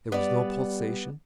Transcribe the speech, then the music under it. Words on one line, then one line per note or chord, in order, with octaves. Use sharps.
There was no pulsation.
G3 B3 D5